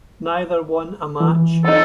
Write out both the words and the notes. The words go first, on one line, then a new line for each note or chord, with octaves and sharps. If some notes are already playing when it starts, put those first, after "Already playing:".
Neither won a match.
E3
F3 D#4 A4